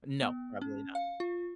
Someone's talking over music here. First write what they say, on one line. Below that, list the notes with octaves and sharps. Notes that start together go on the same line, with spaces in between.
No. Probably
B3
C#4
F5
F4